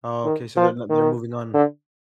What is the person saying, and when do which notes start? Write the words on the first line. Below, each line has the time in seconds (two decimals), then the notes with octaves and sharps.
Okay, so they're n they're moving on.
0.24 D#3
0.57 F3
0.89 D#3
1.54 D3